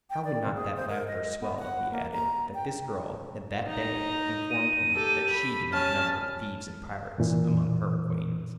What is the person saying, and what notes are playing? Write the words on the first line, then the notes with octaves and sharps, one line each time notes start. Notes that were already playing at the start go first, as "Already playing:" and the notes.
How would not that laughter swell if he added that this girl had that day informed him that she did not number thieves and pirates among her acquaintance.
G5
D5
C4
G#4
C5
A#4
D#5
B3
F#5
A#3
A#5
G5
D#4 A#5
D#7
G4 A4
B5
C#4 A5 F6
F#2 A#2 E3